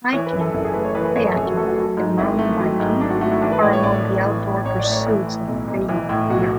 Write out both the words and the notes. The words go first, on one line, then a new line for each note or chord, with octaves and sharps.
Hiking, kayaking, and mountain biking are among the outdoor pursuits available here.
E3 C#5
B4
F#2
A4
F#1 E4
G#4
A3 B4
C#5
E3 B4
B4
F#2 C#5
A4
F#1 G#4
F#4
A3 A4
F#4
F#3
G#2
G#1 E4
A3
F#3
G#2
G#1 D4
F#4
A3 F#4
E4
E3 D4
B4
A2 D5
C#5
A1 D5
A3
E3
A2
A1 C#5
D5
A3
C#5
E3 E4
A2
B1
B1
E3
A2
B1 F#4